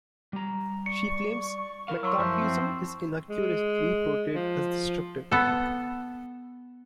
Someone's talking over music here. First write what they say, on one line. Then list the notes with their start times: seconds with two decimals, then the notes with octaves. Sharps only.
She claims McCarthyism is inaccurately portrayed as destructive.
0.33 G3 A#5
0.86 D5 C#6 C#7
1.88 E4 A#4 F5
2.03 F#3 C6 C#6 E6
2.18 F#2 F3 E4
2.39 C4
3.29 G#3
4.33 F3
5.31 B3 A4